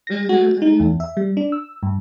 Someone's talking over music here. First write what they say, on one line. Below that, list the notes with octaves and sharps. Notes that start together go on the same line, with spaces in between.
Mhm, mhm.
A#6
F#4
D#4
E2
E5
G3
D4
E6
G2